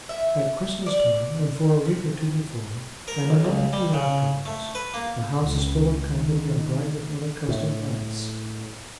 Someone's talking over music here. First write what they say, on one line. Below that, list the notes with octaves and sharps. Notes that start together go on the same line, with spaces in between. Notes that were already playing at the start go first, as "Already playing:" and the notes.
At Christmas time, and for a week or two before, and a month or two afterwards, the house is full of company and bright with unaccustomed lights.
E5
D5
C3
A#4
B1
C#2
G3
C#3
A3
B4
A#3
C#2
D#3
A2